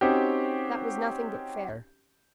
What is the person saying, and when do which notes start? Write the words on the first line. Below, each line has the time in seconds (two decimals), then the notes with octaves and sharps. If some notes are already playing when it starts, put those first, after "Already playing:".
That was nothing but fair.
0.01 C4 C#4 D#4 F#4 G4